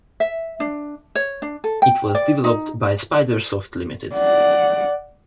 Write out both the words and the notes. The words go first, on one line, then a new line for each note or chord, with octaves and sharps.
It was developed by Spidersoft Limited.
E5
D4
C#5
D4
A4
G5
D5
D#4
D5 F#5